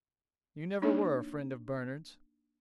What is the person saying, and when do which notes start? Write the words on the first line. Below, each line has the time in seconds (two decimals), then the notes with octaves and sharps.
"You never were a friend of Bernard's."
0.82 A#3 D4 D#4 C#5